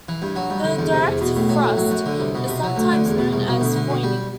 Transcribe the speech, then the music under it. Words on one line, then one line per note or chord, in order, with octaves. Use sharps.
A direct thrust is sometimes known as "foining".
E3
G2
F#3
G2
D3
E2
C3
E2
B2
A2
F#3
A2
F#3
F#2
D3
C2
B2
C3
F#3
D2
D3
E2
B2
C2
B2
D2
D3
B2
G3